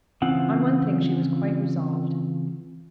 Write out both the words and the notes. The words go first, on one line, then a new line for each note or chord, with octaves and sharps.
On one thing she was quite resolved.
C#3 E3 C4 F4 F#5